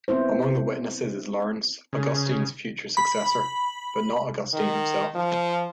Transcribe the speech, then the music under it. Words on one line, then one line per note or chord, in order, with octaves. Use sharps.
Among the witnesses is Laurence, Augustine's future successor, but not Augustine himself.
B3 C4 E4 C5
C#3
B5
D#3
F3